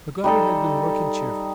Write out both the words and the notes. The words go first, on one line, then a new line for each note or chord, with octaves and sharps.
Peggotty had been working cheerfully.
G3 D#4 A4